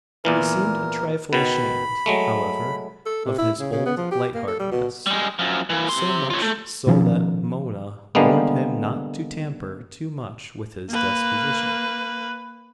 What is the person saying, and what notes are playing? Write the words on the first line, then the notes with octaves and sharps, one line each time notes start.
He seemed a trifle ashamed, however, of his old lightheartedness; so much so that Mona warned him not to tamper too much with his disposition.
E2 A#2 E3 A#4
B2 D#3 B5
F#3 G#3 A3
A4
C3
E4
C#3
C#3
B3
F3
G4
A#3
A4
G3
B2
G3 G#3
F#2 F3
E3 A#3
C3 C6
F4 C#5
A3
B2 D#3 F3 C#4
D3 G3 G#3 A#3 B3
A#3 B4